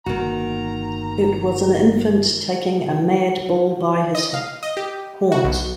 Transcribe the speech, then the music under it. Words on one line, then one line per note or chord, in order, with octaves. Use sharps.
It was an infant taking a mad bull by his horns.
G1 B2 D#3 A#3 F#4 A#5
D#5
F5
D#5
G4
F#4
B1